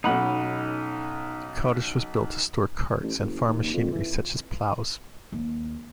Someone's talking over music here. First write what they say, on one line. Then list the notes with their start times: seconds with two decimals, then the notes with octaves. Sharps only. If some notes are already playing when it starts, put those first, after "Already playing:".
The cottage was built to store carts and farm machinery such as ploughs.
0.04 B1 C#4 D#4 F#5 B5
3.03 A1
3.19 F#1
3.48 D#2
3.74 F2
3.93 E3
5.32 D#2